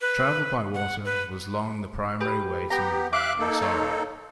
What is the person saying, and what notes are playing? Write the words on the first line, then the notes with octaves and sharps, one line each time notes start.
Travel by water was long the primary way to move around this area.
B4
F#5
B4
G4 B4 D#6
B3 G4 G5 A#5
E5 F5 D6 F#6
A#3 D#4 A4
C#5 C6